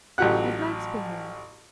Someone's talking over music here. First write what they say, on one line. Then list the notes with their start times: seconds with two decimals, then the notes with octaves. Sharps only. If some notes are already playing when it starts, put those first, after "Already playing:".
"Has Max been here?"
0.18 A1 F#3 F4 G4 F#5 F#6